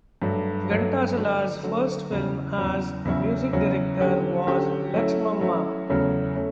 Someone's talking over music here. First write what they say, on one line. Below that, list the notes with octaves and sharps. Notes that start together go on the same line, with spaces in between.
Ghantasala's first film as a music director was "Laxmamma".
G2 F#3 A3
G2 F#3 A3
D3 F#3 A3
D3 F#3 A3
E2 C#3 F#3
E2 C#3 F#3
E2 C#3 F#3 C#4 E4
E2 C#3 F#3 C#4 E4
D3 F#3 C#4 G4
D3 F#3 C#4 G4
F#3 A3 C#4 E4
F#3 A3 C#4 E4
E2 C#3 F#3 A3 C#4
A3 C#4